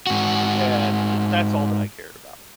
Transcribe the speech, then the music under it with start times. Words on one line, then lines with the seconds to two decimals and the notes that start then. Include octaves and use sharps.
And that's all that I cared about.
0.07 G#2 F#4